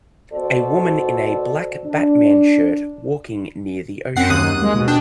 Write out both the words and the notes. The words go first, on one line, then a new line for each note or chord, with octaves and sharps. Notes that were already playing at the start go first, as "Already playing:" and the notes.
A woman in a black Batman shirt walking near the ocean.
B2 F#4 A4 C5 D5
D4
F#2 C4 F#5 C7
D#2 D#6 F#6
G#3
B2
D4 G5